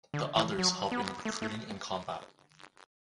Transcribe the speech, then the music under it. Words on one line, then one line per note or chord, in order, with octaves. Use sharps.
The others help in recruiting and combat.
D3
E3
F#3
B3
A3
A3